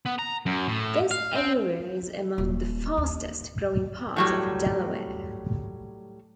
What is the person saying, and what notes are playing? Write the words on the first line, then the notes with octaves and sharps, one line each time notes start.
This area is among the fastest growing parts of Delaware.
B3
A#5
F#2
A2
F5
C4
D#1
D#2
A2 F#3 G3